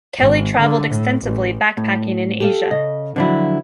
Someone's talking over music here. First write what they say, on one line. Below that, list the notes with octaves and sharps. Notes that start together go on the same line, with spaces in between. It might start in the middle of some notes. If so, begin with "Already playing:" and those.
Kelly traveled extensively backpacking in Asia.
G#1
D3
A2
A1
A2
G4 A4 F5
C#3 D#5
D3 F3 F#3 D4 E4